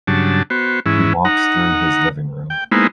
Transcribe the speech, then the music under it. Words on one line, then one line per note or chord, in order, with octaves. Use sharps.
He walks through his living room.
G2 C#3 F#3 D4 A5
B3 F#4 C5
G#2 E3 C#4 E4
D#4 F#5 A#5
G5
G#3 A#3 B3 D#4 E4 C5